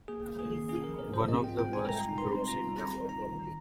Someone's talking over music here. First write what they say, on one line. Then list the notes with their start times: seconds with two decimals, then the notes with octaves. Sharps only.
One of the worst crooks in town!
0.08 A#3 G#4
0.29 A#3
0.39 G#4
0.49 D#3
0.69 C#4 G#4
0.84 F3 A#4
0.99 A#4
1.08 G#2
1.14 C5
1.28 C4 D#5
1.44 F4 G5
1.59 G5
1.68 G#3 G#5
1.88 G3 A#5
2.09 D#4
2.18 C6
2.29 C4
2.48 F4 A#5
2.69 G3
2.78 A#5
2.89 C4
3.08 D#4 A#5
3.28 D#3